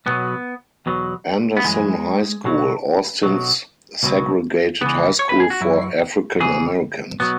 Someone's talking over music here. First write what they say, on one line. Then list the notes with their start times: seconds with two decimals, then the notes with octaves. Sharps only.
Anderson High School, Austin's segregated high school for African Americans.
0.06 B1 B2 F#3 B3
0.86 E2 B2 F#3
1.57 B3
1.64 F#2 E3 G#3
2.44 B1 B2 F#3
3.23 B1 B2 F#3
4.03 C#2 B2 F#3
4.81 C#2 C#3 E3 B3
5.19 C#5
5.29 B4
5.40 G#4
5.50 F#4
5.61 F#2 F#3 E4
6.40 E2 C#3 E3 G#4
7.20 B2 F#3 B3